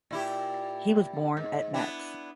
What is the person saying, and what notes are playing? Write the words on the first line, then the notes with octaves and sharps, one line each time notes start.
He was born at Metz.
A#2 E4 G4
G#2
B3 D4 E4